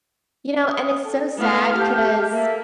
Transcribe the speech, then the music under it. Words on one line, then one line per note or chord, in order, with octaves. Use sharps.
You know, and it's so sad 'cause,
D#6
A4
A3 B3 E4 F5
G4 A5 F6 G6
A#3 A4 E5